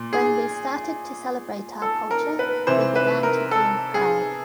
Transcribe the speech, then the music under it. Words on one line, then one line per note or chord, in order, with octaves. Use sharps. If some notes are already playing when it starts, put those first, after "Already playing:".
When we started to celebrate our culture, we began to feel proud.
Already playing: A#2
G#4
A4
A#4
B4
C3 E3 C5
B4
A#4
A4
G#4